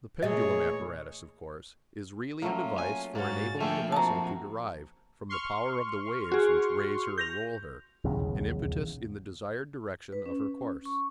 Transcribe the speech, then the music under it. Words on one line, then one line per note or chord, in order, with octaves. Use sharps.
The pendulum apparatus, of course, is really a device for enabling a vessel to derive, from the power of the waves which raise her and roll her, an impetus in the desired direction of her course.
A#2 E3 A3 G#4 C#5 D#5
F#3 A3 A#3 C#4 F4
G#5
G#2 A#3 C#4 F#4 A6
F3 A3 A#3 A4 G5 G#5
C4 F#4 A5 A#5
C6 C#6 F6
F#4 G#4
G6 A#6 F7
D#1 B1 E2 C#3
B4
C#4
C#6